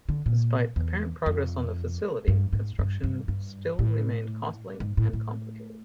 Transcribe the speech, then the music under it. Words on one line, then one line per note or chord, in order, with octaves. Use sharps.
Despite apparent progress on the facility, construction still remained costly and complicated.
D3
A#2
E2
F2
G2
G#2
G2
G2
G2
A2
G#2
A2
A2